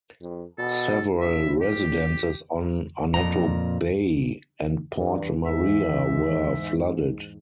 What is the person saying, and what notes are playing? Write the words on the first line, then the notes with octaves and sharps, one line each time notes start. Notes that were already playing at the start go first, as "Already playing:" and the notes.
Several residences on Annotto Bay and Port Maria were flooded.
F2
B2 A4
A#1 E5
G4
F2 A#2 A#5
E2 G2
G#2 E5